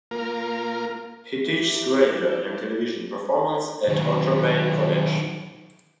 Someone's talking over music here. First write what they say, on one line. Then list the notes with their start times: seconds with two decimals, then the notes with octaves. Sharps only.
He teaches radio and television performance at Otterbein College.
0.11 A#3 F4 A#4
1.46 E4 G4
3.88 D#3 F#3